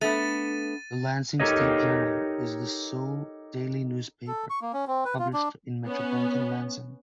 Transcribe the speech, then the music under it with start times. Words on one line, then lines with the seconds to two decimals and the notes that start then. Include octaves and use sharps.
The "Lansing State Journal" is the sole daily newspaper published in metropolitan Lansing.
0.01 A3 B3 D4 A6 D#7
1.40 D#4 G4 A4 A#4 C#5 D#5
4.27 A4
4.50 C#6
4.62 A#3
4.73 C#4
4.88 C4
5.05 B4
5.19 F4
5.33 D4
5.86 B3 C#4